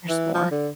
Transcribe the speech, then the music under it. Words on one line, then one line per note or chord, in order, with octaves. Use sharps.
There's more.
E3
F3
D3